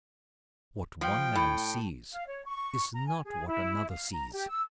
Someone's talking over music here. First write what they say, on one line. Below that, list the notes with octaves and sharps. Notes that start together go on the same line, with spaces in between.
What one man sees is not what another sees.
F3 G5
A2
F5
C#5
C#6
A#5
G#5
G#4
E4
F5
A#5
G4
E6